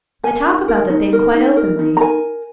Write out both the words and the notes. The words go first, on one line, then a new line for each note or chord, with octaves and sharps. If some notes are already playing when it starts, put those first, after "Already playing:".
'They talk about the thing quite openly.
A#4 G#5
D#4
A#4
D#4
A#4
D#4
A#4
D#4
A#5
A#4 G#5